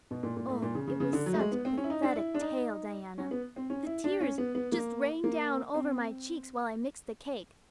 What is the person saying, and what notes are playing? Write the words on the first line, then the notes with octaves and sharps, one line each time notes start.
Oh, it was such a pathetic tale, Diana. The tears just rained down over my cheeks while I mixed the cake.
B2
A#2
A#2
A2
A#2
C#3
C#3
C#3
D3
F#3
A3
G#3
B3
C4
C#4
E4
D#4
D4
E4
D4
D#4
C#4
B3
C4
C#4
E4
D4
C#4
B3
B3
A#3
A#3
C4